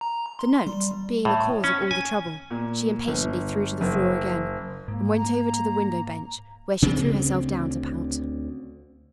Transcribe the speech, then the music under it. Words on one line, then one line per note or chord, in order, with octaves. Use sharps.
The note, being the cause of all the trouble, she impatiently threw to the floor again, and went over to the window bench, where she threw herself down to pout.
A#5
C6
G3
A2
C#4
G#5
A#2
G1
F#1
G#2 A#3
A#5
D2 C#3 C4